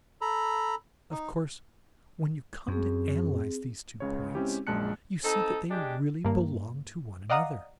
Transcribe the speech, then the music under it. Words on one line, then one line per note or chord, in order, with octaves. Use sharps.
Of course, when you come to analyze these two points, you see that they really belong to one another.
A4 A#5 B5
D#4
F#2 C4 G#4
C#2 C#3 C#5
G#3 C4 C#4 E4 G4
A#1 F#2 G#3 A5 F#6 C#7
C4 D#4 A4
G#3 D4 G4
G2 A#3
D5 D#5 F5 F#5 A#5 D#6